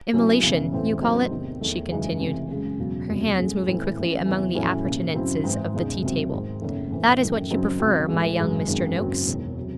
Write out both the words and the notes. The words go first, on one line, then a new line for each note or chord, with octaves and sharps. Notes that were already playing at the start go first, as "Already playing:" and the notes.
Immolation, you call it?' she continued, her hands moving quickly among the appurtenances of the tea-table. 'That is what you prefer, my young Mr. Noakes.'
C2 C3 F#3 C#4 E4
E1 E2 C#3 E3
A1 A2 E3 A3 C4
A1 A2 F#3 C4 D#4
E2 C3 D#3
E2 D#3 A3
F#2 C#3 E3 G#3 D#4
C#2 C3 E3 A3 C#4
F#2 C#3 G#3
E1 E2 C#3 F#3
F#1 E2 C3 F#3
A1 A2 G#3
A2 E3 C4 E4
A1 A2 E3
E2 C3 E3
A2 F#3 C#4 E4
E1 D#2 C#3
F#2 C#3 F#3 C4 E4
G#2 E3 C4
E1 E2 C#3 G#3 D#4
C2 C3 F#3 C4
G#2 D#3 G#3 C4
F#1 E2 D#3 A3
A2 E3 C4
F#2 D#3 A3
F#2 C#3 F#3 C4 D#4
C#2 C3 F#3 C4
A2 E3 G#3
G#1 F#2 C#3 G#3
G#1 F#2 D#3 G#3
F#1 F#2 D#3 F#3 C4
E1 E2 D#3
C3 F#3